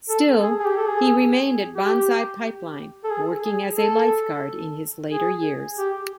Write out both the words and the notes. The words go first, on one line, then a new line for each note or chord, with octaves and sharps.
Still, he remained at Banzai Pipeline, working as a lifeguard in his later years.
A4
G#4
G#4
G4
A4
G#4
G4
A4
G#4
G#4
A4
G#4
G4